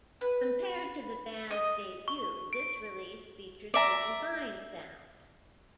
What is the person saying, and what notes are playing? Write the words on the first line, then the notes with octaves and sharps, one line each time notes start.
Compared to the bands' debut, this release features a refined sound.
B4
D#5
C#6
D7
D5 E5 A#5